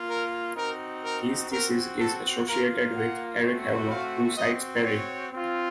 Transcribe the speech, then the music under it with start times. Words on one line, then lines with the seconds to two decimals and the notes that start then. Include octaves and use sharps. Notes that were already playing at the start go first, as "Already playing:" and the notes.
This thesis is associated with Eric Havelock, who cites Parry.
Already playing: A#3 F4
0.09 A#4
0.56 C4 D#4 F#4 A#4
1.04 A#4
1.51 C4 F#4 A#4
1.99 A4
2.47 A#3 F4 A#4
2.95 F#5
3.42 A3 C4 F#4
3.90 F5
4.37 C4 F#4 D#5
4.85 C#5
5.33 C4 F4